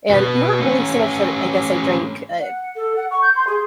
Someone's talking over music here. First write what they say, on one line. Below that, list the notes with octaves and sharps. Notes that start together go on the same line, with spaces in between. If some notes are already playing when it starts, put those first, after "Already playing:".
and not really so much that I guess I drank, uh,
B2 B3
A3 C#4
F#5
A4
F#5
C#6
G6
C6
G#4